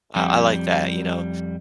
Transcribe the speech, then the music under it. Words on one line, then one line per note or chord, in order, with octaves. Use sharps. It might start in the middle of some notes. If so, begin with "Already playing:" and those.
I I like that, you know,
F2 G3